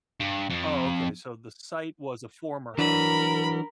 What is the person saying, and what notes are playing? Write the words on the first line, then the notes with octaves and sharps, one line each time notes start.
Oh, okay, so the site was a former ho
G2
F2
E3 F#3 D4 A#4 B5